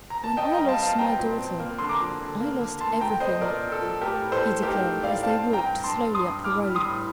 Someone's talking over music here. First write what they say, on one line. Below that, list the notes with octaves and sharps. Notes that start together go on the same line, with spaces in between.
"When I lost my daughter, I lost everything," he declared, as they walked slowly up the road.
A#5
A5
C4 D#5 G5
G3 G5 A#5
F5 A5
C4 F5 A5
C4 G5 A#5
A#2
C4
A#3
D3 C6
A#5 D6
F3
D3
A#3
D3
A3 A5 C6
A#2 G5 A#5
C4 C5 D#5
A#2 A#4 D5
A#2
A4
F3
A3 G4 A#4
A2
A4 C5
A3
D#4 G4 A#4
A3
A2 D5 F5
C4 F5 A5
G2
G5 A#5
G2
G2 A5 C6
G2
C6 D#6
G2
A2 D6 F6
G3
C6 D#6
A2